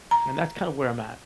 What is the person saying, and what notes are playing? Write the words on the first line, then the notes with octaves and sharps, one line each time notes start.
and that's kind of where I'm at.
A#5